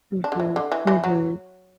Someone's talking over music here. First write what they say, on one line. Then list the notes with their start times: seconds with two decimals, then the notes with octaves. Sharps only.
Mhm, mhm.
0.24 D4
0.32 D3
0.40 E3
0.56 D3
0.72 E3
0.87 E3
1.04 F#3